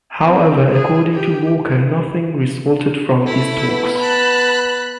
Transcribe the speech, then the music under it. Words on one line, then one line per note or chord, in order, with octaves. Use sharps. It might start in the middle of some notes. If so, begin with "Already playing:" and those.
However, according to Walker, nothing resulted from these talks.
C4
G#4
G4
A3 E4
B3
A5 B5 F#6